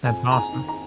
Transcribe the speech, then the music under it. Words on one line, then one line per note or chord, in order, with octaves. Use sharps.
That's awesome.
F2 G#5
A#5
G#5
D#3
A#5